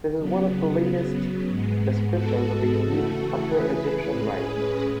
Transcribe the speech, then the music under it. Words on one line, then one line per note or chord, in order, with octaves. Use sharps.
This is one of the latest descriptions of the unique Upper Egyptian rite.
C#3 F#3 B3
G#2 G#3 B3
F#4 A4
C#3 E3 A3 F#4 A4
G#4 B4
A2 G#3 C#4